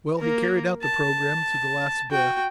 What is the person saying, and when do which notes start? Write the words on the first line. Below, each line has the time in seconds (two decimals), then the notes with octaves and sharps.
Well, he carried out the programme to the last breath.
0.18 A#3 A#4
0.82 A5
2.11 F#4 G5